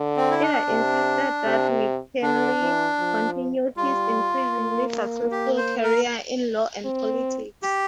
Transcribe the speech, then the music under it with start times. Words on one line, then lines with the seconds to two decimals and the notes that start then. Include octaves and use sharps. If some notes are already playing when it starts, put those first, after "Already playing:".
Ida insisted that McKinley continue his increasingly successful career in law and politics.
Already playing: D3
0.17 C4
0.31 E4
0.42 D4
0.68 C3
1.45 C3
2.22 D3 D4
2.61 E3
2.99 F3
3.77 G3 F4
4.54 A#3
5.31 G4
5.57 C5
5.83 A#4
6.85 C4
7.63 G4